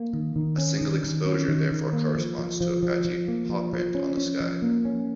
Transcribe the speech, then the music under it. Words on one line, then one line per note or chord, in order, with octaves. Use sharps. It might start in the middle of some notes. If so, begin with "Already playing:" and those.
A single exposure therefore corresponds to a patchy "paw print" on the sky.
Already playing: A#3
D#3
D#3
C#4
D#3
D#3
C#4
D#3
D#3
A#3
F3
F3
F3
F3
F3
A#3
F3
F3
C#4
C#4
F3
A#3
C#4